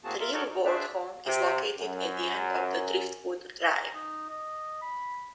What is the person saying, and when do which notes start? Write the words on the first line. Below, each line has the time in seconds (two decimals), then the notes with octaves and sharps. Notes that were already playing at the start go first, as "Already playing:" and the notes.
The Real World home is located at the end of Driftwood Drive.
0.04 A2 A#3 C4 F#4 G#4 A5
0.20 F4 A#4 E5
0.33 F#4 A4 A#4 C#5 D5
0.49 D#4
0.65 D4 G#4 B4 C5 D5 E5
1.26 C3
1.79 F#2
3.69 A#5
3.94 D#4
4.29 D#5
4.82 B5